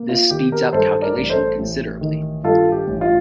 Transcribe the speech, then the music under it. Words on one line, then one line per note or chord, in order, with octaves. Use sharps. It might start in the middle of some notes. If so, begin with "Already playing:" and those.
This speeds up calculation considerably.
Already playing: A#3
F4
D#3 G4
G4 A#4
G2 A4 C5
A#4 D5
A1
A4 C5
A1
D#3
G2 F4 A4
G4
A1
F4